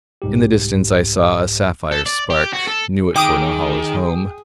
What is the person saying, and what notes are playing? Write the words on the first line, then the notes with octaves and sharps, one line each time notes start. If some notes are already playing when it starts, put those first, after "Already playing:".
In the distance I saw a sapphire spark; knew it for Norhala's home.
C2 G#2 G4
A4
D5
G4
F#4
A4
D#3 G#4 G5 D6 D#6 D7